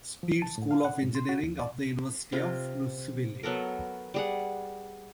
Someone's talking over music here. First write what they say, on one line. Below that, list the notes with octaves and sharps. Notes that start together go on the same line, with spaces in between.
Speed School of Engineering of the University of Louisville.
F3
A5
A2
F5
F#5
G#2
C6
F#4
D#2
D5
C3 F4
F#3 B3 A4 A#4
G3 G#4 F#5